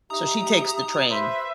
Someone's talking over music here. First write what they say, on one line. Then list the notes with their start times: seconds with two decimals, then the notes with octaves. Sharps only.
so, she takes the train
0.10 D#4 G4 E5 A#5 D#6
1.09 B4 C5 E5